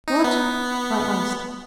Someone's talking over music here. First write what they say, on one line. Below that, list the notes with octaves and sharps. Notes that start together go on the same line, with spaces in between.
"What?" I asked.
D#4
B3